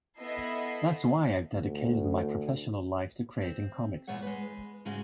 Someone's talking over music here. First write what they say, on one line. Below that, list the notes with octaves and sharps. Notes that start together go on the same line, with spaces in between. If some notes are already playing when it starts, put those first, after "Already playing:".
That's why I've dedicated my professional life to creating comics.
B3 E4 A4 D#5 E5 C7
D2
C4
E2 A#2 G#3 C#5 F#5
G#3 B4
G#2 C#3 G#3 C#4 F#4